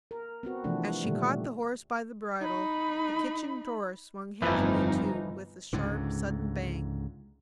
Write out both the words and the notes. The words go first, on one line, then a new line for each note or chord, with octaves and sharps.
As she caught the horse by the bridle, the kitchen door swung heavily to with a sharp, sudden bang.
A#4
B3 C4 F#4
C3 E3 F3 A3 D4
A#2 D3 D#3 G3 A3
D#4 B5
G1 F2 E3 F3 C4 D#4 B4
C#2 G#2 D3